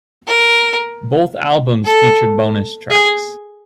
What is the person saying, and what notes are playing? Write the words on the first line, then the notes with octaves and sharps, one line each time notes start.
Both albums featured bonus tracks.
A#4
A4
G#4